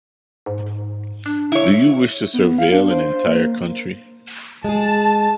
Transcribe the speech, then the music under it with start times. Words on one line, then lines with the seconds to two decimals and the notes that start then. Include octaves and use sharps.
Do you wish to surveil an entire country?
0.46 G#2
1.26 D4
1.52 E4 C#5
2.33 B3
2.58 F5
2.72 D4
2.91 C5
3.27 A#3
4.64 G#3 G#4 A5